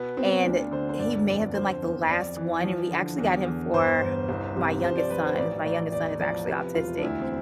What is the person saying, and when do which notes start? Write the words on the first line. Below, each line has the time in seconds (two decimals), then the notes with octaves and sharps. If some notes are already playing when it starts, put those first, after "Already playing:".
and he may have been like the last one, and we actually got him for my youngest son as my youngest son is actually autistic.
Already playing: B2 B3
0.17 B2 C4
0.44 D2 D4
0.71 D3 C5
0.89 C5
0.99 G1 D5
1.27 F2 D5
1.54 D3 C5
1.82 E2
2.09 F2 D5
2.36 E3
2.64 F3
2.91 D3
3.18 E2
3.46 E2
3.73 G1 C5
4.01 G1
4.28 C2
4.56 C3
4.84 F3 C5
4.97 D5
5.10 F3 B4
5.25 C5
5.38 A1 D5
5.65 A1 D5
5.92 E1 D5
6.20 F3 D5
6.48 C3 B4
6.75 E1 F4
6.98 D4
7.02 D2 E4
7.21 C4